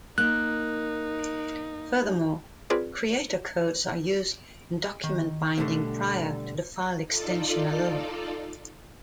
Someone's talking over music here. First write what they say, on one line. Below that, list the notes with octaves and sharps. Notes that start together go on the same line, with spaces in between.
Furthermore, creator codes are used in document binding prior to the file extension alone.
A#3 D#4 F#6
C4 F4 G#4 B4 D5
D#3
B2 D3 E3 G3 A3 A#3
D#4 F4 A4 D5